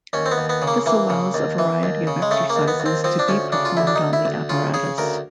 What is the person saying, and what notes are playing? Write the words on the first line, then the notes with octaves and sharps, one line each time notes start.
This allows a variety of exercises to be performed on the apparatus.
D#2 C#4
C4
B3
D#2
B3
C#3
A#3
E3 A#3
C#3
D#2
E3
D#2
C#3
G#3
C#3 A3
A#3
D#2
B3
D#2
C4
F3 C4
D4
D2 C#4
C#3 D4
F4
D2 E4
D4
D#4
D2
E4
D2
C#3 F4
C#3 G#4
D2 A#4